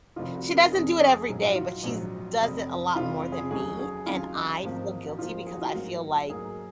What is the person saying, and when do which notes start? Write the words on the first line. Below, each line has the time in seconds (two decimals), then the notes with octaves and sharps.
She doesn't do it every day, but she's does it a lot more than me. And I feel guilty because I feel, like,
0.16 F1 F2 C3 D#3 F4
0.35 F#4
0.54 A#4
0.72 F1 F2 C3 D#3 G#4
1.00 G#4
1.28 A#1 G#2 F#3
1.48 F#4
1.56 F4
1.83 A#1 G#2 F#3
2.40 F1 F2 C3
2.95 F1 F2 C3 F4
3.32 G#4
3.51 D#2 C#3 F#3 G#4
3.79 G#4
4.06 D#2 C#3 F#3 F4
4.35 D#4
4.63 G#1 G#2 F3 A#3
5.07 F#4
5.18 G#1 G#2 F3 A#3 F4
5.46 G#4
5.54 F#4
5.61 F4
5.69 F#4
5.74 G#2 F#3 A#3
6.30 G#2 F#3 A#3 G#4